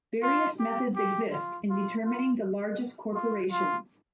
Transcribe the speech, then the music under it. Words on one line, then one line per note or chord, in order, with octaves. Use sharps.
Various methods exist in determining the largest corporations.
F4
G4
G4
F4
F4
F4
F4
F4